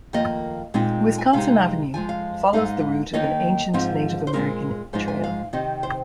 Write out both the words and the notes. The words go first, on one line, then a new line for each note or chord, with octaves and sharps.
Wisconsin Avenue follows the route of an ancient Native American trail.
F2 D#3 A#3 D#5
A#2 G#3 C4 D#4
G#5
C3 G#3 D#4 F5
F2 F3 G#3 G#5
F5
G#2 G#3 D#4 F5
D#2 D#3 A#3 D#4 D#5
G#2 F3 C4 D#4
C5
A#2 G#3 C4 D#4 A#4
G#2 F3 G#3 D#4 C5
G#5
F5
C3 D#3 C4 D#4 D#5
C5